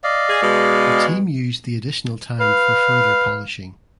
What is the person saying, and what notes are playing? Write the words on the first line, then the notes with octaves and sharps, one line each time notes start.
The team used the additional time for further polishing.
D5 D#5 F5
G#4
B2 G#3
B4 F5